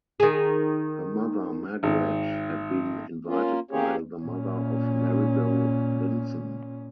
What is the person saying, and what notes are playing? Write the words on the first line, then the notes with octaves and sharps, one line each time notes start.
Her mother, Margaret, had been invited by the mother of Maribel Vinson.
D#3 G#4
G#1
A#3 C#4 F4
A#3 C#4 G4 G#4 C#5
A#2 C#4